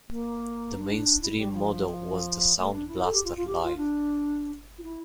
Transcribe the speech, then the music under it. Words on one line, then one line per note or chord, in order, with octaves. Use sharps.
The mainstream model was the Sound Blaster Live!
A#3
D4
E4
G3
F3
A3
D4
E4
A4
G4
F4
F4
G4
F4
D4
F4
E4